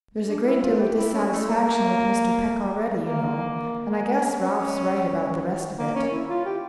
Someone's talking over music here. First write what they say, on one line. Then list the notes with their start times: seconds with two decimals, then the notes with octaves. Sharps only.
"There's a great deal of dissatisfaction with Mr. Peck already, you know, and I guess Ralph's right about the rest of it."
0.28 D4
0.45 E4
0.62 F4
0.79 G4
0.97 E4
1.13 C#4
1.32 A3
1.48 A#3
3.02 A#3
4.40 C#4
5.78 A#3
5.95 C#4
6.11 E4
6.29 F4
6.45 G4